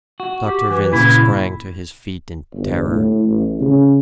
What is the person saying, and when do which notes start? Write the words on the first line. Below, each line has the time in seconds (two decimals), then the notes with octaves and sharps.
Dr. Vince sprang to his feet in terror.
0.20 F#4
0.46 G4
0.70 E3
0.92 A#2 C#3 E4
2.53 G1
2.87 A2
3.26 A1
3.61 C#3